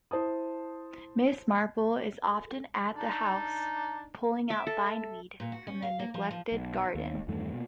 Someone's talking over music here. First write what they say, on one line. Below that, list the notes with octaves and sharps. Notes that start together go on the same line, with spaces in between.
Miss Marple is often at the house, pulling out bindweed from the neglected garden.
E4 C5 A5 D#6
D4 D#4
E5 D6
A4
A#2
F#4
C#4
F5
A#3
F3
F3
B1
D#2
E2 G2 D#3 A3
B2 A3 A#3